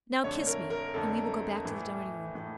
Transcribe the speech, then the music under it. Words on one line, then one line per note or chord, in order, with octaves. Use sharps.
"Now, kiss me, and we will go back to the dining-room."
F2 D3 A3 C#5
A#4
A#4
F2 D3 A3 A4
A2 E3 A3
A2 E3 A3